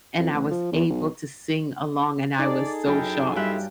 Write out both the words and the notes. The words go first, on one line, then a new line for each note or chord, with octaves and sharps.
and I was able to sing along, and I was so shocked.
F2
A1
F3
E2
B1
D#4 G#4 A4 D5
F#2 E4 A#4 G5
G2 E4 F4 E5 G5 F#6